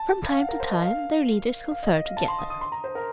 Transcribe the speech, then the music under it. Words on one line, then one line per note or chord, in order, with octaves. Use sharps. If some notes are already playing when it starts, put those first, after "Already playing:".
From time to time their leaders conferred together.
Already playing: A5
F5
F#5
A#4
C5
D#5
F5
F5
D#5
D#5
F5
A5
C6
D#6
D#6
C6
A#5
C5
A#4